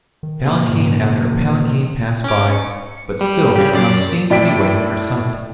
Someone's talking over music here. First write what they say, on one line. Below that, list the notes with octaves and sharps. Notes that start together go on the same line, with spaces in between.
Palanquin after palanquin passed by, but still the crowd seemed to be waiting for something.
D#3
A#2 C#3
G#2
E3
C#4 D6
C#7
G3
C#3 G3 G4
F#2 D5 C7
A2 D5 G5 B6 D7